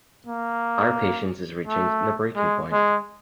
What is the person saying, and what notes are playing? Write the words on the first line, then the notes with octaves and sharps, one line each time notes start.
Our patience is reaching the breaking point.
A#3
A3
G#3
G#3